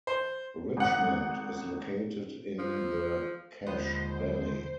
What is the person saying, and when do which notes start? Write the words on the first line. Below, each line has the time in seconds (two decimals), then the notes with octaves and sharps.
Richmond is located in the Cache Valley.
0.07 C5
0.77 G#1 F#5
2.59 F3
3.67 D#2 D3 F3 G#3 B3 C5